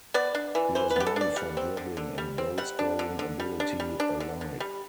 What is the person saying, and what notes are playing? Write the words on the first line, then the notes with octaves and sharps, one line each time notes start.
He was known for dribbling and goal-scoring ability alike.
B3 D5
D4
E3
E3 C5
B4
B3 G4
A4
D4 D5
G3 F#5
C4
D3
D3
G3
C4
G3 F#5
D4
D3
D3
G3
D4
G3
D4
D3
D3
G3